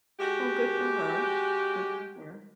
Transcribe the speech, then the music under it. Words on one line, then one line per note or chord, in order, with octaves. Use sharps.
Well, good for her. Good for her.
G#3 F#4 G4